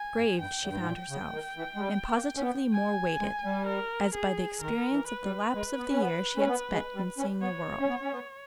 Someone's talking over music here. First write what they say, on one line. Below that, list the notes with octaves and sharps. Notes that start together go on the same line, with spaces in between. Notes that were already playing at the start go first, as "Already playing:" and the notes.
Grave she found herself, and positively more weighted, as by the experience of the lapse of the year she had spent in seeing the world.
Already playing: G#5
G2
G2 G5
E2
G2
G#2
A#2
C#3
D#3
E3
G#3
G3
A#3
C#4
B3
G#5
G#3
G3
A#4
G#4
D#3 A#4
E3
B4
G3
G#3
B3
C#4
B3
C#4
B3
G#3
G3
C#4
B3 C#5
C#4
B3
C#4
B3